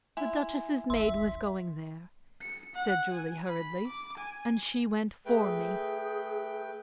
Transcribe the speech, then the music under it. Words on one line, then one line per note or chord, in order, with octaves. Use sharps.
The Duchess's maid was going there," said Julie, hurriedly, "and she went for me.
E4 G#5
D1 G#1 E5 C6
C#7
F#5
G#5
B5
D6
G#5
A3 G#4 B4 G5